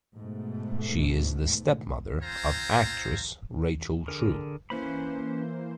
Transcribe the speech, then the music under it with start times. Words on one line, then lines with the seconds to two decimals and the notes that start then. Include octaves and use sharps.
She is the stepmother of actress Rachel True.
0.16 G#2 B2 A3
2.22 C4 F4 C5 G#5 A#5
4.08 D3 G#4 A#4
4.70 E3 A#3 C#4 B4 C5 B5